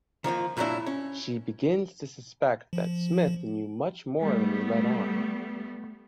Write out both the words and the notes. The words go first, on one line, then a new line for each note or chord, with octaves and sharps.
She begins to suspect that Smith knew much more than he let on.
D#3 F3 A#3 F4
G2 A#2 F#3 C#4 D4 E4
C#4
F3
G3 A3 B3